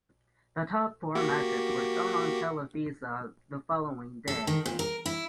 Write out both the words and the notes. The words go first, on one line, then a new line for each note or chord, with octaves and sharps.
The top four matches were shown on Televisa the following day.
A#3 F#4 G4
A4
D#3
A#2
A#4
E4